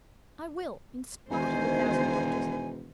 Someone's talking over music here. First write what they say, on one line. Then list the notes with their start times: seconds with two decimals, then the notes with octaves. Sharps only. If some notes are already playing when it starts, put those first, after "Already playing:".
I will, in spite of a thousand doctors.
1.30 E1 B2 D#3 C5 G#5